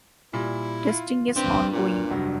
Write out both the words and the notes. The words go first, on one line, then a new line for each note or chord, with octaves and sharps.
Testing is ongoing.
A#2 G3 E4
F4
C4 D4 B4
A#2
F1 G2 F#3